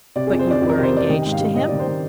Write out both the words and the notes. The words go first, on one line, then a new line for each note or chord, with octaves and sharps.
"But you were engaged to him?"
C3 D5
G#4
F2
C5
F2 D5
F2
A#4
C3
C5
C3 D5
D#3 D#5
G#2 G5
F5
G3
D#3 D#5
D5
D#3
C5
D#3